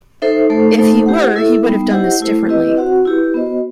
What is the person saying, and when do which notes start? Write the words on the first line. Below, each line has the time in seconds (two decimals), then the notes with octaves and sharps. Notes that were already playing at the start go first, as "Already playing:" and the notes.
If he were, he would have done this differently.
0.22 D#4 A4 C5 E5
0.50 A3 D#4 A4 C5
0.78 A3 D#4 A4 C5
1.06 E4 G4 C5 F#5
1.36 E4 A4 E5
1.64 G3 B3 D#4
1.92 E4 G4 C5 D#5 F#5
2.20 A3 E4 A4 C5
2.48 C4 E4 G4 B4 D#5
2.77 C4 F#4 C5 F#5
3.06 E4 G4 B4
3.34 B3 F#4 C5 D#5